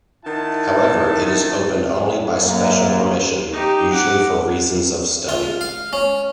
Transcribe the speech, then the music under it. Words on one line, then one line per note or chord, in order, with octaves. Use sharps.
However, it is opened only by special permission, usually for reasons of study.
D#3 E4 F#5 A5
F#2 A#3
D#4 G4
F#5 D6
F4
F5
C#4